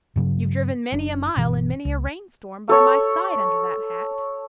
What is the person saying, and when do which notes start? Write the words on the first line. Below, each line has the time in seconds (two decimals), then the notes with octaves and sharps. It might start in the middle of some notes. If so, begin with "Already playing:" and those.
You've driven many a mile in many a rainstorm by my side under that hat!
0.16 G2 C#3 F#3
0.92 F#1 D4
1.36 G1 B2 E3
1.85 C#2
2.69 A4 C#5